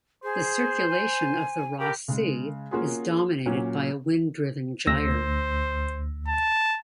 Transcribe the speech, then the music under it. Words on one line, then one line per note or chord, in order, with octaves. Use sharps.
The circulation of the Ross Sea is dominated by a wind-driven gyre.
G#4 C5
G#5
G4 A#4
C#3 G#3
A#3 C#4 F4 F#4 G#4
A#2 F#3 C#4
D2 C5 E6 A#6
A5